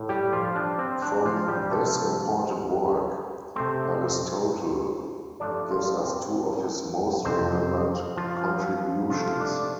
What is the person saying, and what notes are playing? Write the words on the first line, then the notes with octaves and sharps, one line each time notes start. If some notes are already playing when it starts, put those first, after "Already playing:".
From this important work Aristotle gives us two of his most remembered contributions.
Already playing: A2
G3 G4
F3 F4
D4
C4
D4
F3 F4
G3 G4
C3 F3 A3 A4
C3 A3 C4 C5
G2 F3 A3 D4 D5
F4 F5
C4 C5
F2 C3 A3 C4 C5
F3 F4
C3 F3 A3 F4 F5
D4 D5